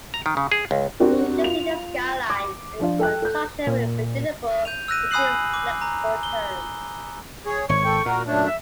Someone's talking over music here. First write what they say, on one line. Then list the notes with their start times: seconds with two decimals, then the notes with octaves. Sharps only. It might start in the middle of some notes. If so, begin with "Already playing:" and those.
We need to see the sky line in conjunction with predictable, but still flexible terms.
0.14 A#5
0.26 D#3
0.37 C#3
0.52 G#4
0.71 C#2
1.00 C4 D4 F#4 G4 A#4
1.44 F4 F7
2.30 D6
2.80 F3 D4 F4
2.99 A4 G5 F#6
3.22 A4 G6
3.67 A#2
4.65 G6 D#7 F7
4.88 E6 F#6 A#6 D#7
5.11 G#5 B5 D#6 F#6 C7 F#7
5.54 D6
5.81 A#5
6.23 G7
7.46 G#4 C#5
7.69 G#1 C#5 C#6
7.84 A4 G5
8.06 A#2 F#4 A#4
8.27 F#2 A3 D4 C#5
8.46 E5